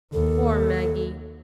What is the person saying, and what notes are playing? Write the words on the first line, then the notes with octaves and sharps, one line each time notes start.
Poor Maggie!
D#2 A4